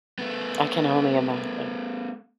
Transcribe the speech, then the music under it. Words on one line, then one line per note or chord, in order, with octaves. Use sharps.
I can only imagine.
A3 B3